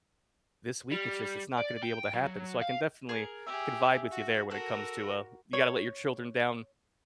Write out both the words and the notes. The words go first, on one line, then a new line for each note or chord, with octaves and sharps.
this week, it's just it's not gonna be able to happen." So I can definitely I can vibe with you there when it comes to, uh, you gotta let your children down
G3
D5
G5
F#3
F5
G#4 A#4
G4 G#4 E5
F#4
F#4 A4 A#4 F#6
C#5